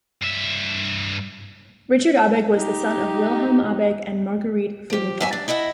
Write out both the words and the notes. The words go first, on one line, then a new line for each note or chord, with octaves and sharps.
Richard Abegg was the son of Wilhelm Abegg and Margarete Friedenthal.
G2 E5
D#4 G4
F3 G4
F#3 E5 G#5
D4
E4 D#5 E5 F#5